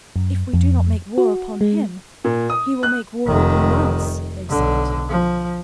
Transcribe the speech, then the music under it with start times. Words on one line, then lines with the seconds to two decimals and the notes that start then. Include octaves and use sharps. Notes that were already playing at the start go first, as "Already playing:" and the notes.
"If we do not make war upon him, he will make war upon us," they said.
0.16 F#2
0.54 F2
1.18 F#4
1.61 G#3
2.24 A#2
2.50 D#6
2.83 F#6
3.26 F1 D#3
4.49 B1 D3
5.09 F3